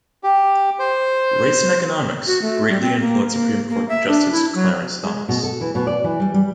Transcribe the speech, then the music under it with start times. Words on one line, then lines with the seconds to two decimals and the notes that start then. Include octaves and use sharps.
"Race and Economics" greatly influenced Supreme Court Justice Clarence Thomas.
0.24 G4
0.79 C5
2.27 F#4
2.42 A3
2.69 G3
2.81 C4
3.01 A#3
3.29 A#3
3.70 A#3
3.89 E5
4.08 D4
4.32 E4
4.54 F#3
5.03 G#3
5.29 B2
5.43 A4
5.61 E3
5.75 B2
5.87 D5
6.04 E3
6.20 G3
6.34 G3